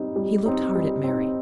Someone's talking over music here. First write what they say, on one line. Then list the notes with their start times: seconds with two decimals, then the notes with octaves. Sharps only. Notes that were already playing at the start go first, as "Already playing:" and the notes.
He looked hard at Mary.
Already playing: G3 C4 D#4
0.16 G3
0.46 C4 D#4
0.75 G3
1.04 C4 D#4